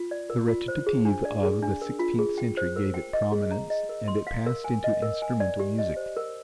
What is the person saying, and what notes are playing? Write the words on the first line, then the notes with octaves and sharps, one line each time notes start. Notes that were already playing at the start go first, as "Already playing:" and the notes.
The recitative of the sixteenth century gave it prominence, and it passed into instrumental music.
Already playing: F4
D5
A#4
F4
C5
G#4
D4
D5
G#4
D4
A#4
F4
G#4
G5
C5
A#4
G5
D#5
G#4
A#5
D#5
A#4
C6
F5
A#4
G#5
D#5
A#4
G#5
D5
G4
D#5
C5
A#4